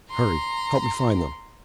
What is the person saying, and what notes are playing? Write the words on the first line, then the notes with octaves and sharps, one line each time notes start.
"Hurry, help me find them."
A#5 C6